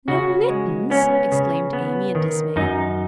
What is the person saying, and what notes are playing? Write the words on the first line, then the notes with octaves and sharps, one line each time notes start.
"No mittens!" exclaimed Amy in dismay.
C#3 F#4
G#3
B3 C#4
C#3
B3
D#3
F#2 D#4